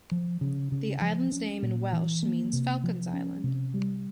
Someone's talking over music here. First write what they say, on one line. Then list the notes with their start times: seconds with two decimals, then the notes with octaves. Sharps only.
The island's name in Welsh means "falcon's Island".
0.11 F3
0.41 C#3
0.72 C#3
1.02 F3
1.32 C#4
1.62 A#2
1.93 E3
2.23 A#3
2.53 C3
2.84 F3
3.14 C#4
3.44 C3
3.74 G3